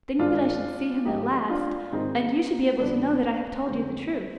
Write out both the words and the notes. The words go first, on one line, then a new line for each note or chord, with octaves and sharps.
To think that I should see him at last, and you should be able to know that I have told you the truth!'
G2 D#3 G#3 D4 F4
G#2 F3 G#3 D#4 G4
D4 F4
G#2 D#3 G#3 C4 D#4
F2 D3 G3 B3 D4
F2 D3 G#3 C4